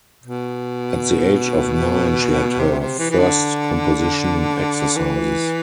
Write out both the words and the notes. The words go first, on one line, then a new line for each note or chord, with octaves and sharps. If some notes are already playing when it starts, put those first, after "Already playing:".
At the age of nine she had her first composition exercises.
B2
C3
C3
E3
E3
D3
E3